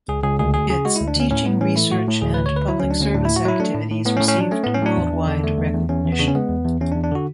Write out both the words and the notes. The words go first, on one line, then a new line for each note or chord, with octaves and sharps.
Its teaching, research, and public service activities received worldwide recognition.
C#2 G#4
C#2 G#4
D2 G#4
D2 G#4
C#3 G#4
G#3 F#4
D2 E4
D4
D2 C#4
A2 C#4
A2 B3
E3 C#4
A3 E4
A2 F#4
A2
D2 G#4
D2 B4
C#5
D3 B4
F#3 E4
D2 C#4
D4
D2 C#4
A2 D4
A2 E4
F#4
F#3 E4
A3 D4
A2
A2
A2 B3
C#4
A2
C#4
F#3 D4
A3 C#4
A2 B3
C#4
A2 D4
E2
E2
D3
A3
E2
E2
E2 C#4
E2
B3
C#3 D4
C#4
G#3 B3
E2
E2
E2 C#4
D4
E2
D4
D3 F#4